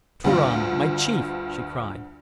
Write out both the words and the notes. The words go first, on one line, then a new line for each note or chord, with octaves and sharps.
"Turan, my chief!" she cried.
D2 G2 F4